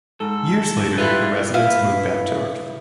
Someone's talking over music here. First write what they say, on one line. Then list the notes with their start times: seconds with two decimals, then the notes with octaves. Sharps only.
Years later, the residents move back to Earth.
0.20 G#2 A4
0.98 G3 E4 F4 B4
1.54 E4 B4 F5